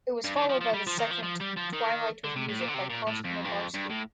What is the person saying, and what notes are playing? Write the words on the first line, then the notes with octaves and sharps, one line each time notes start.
It was followed by the second, "Twilight with Music" by Karsten Obarski.
G2
D#3
F3
F3
G3
F3
D#3
F3
F3
G3
F3
D#3
D3
C3
A2
A#2
D3
C3
A#2
A2
F2
G2
F2
G2
A2